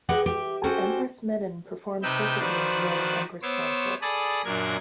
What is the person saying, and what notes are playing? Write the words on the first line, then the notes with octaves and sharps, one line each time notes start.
Empress Menen performed perfectly in the role of Empress-consort.
G4 G#4 B4 D#5 F#5
G4 E5
C#4 F#4 G4 A4 C5
C3 D#4 B4 G5 E6 G6
D#3 F3 F#4 B4 C5 D5
B3 C5 C#5 D6 E6
G#4 A4 D5 B5 D#6
F#2 A#2 D4 A#4 G#6